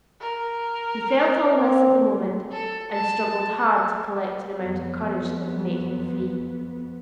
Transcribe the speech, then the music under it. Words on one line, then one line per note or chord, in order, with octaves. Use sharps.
He felt all this at the moment, and struggled hard to collect an amount of courage that would make him free.
A#4
C4
A4
A5
F2 B3